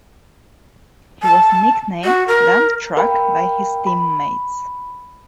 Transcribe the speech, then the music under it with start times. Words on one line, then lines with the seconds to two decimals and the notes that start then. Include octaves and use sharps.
He was nicknamed "Dump Truck" by his teammates.
1.23 A5
2.05 F#4
2.28 A#4
2.97 A#4 F5 G5 B5
3.87 B5